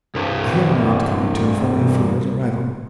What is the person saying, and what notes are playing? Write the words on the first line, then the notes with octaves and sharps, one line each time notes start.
I hear my aunt coming to inform me of Flora's arrival.
C2 G2